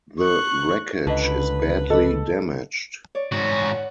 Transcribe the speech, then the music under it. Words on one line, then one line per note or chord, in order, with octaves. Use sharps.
The wreckage is badly damaged.
C#6 F#6
C#2 D3 B4 D#5 A5
G#4 A4 D#5
C#5 D5
G#2 F#4
F#5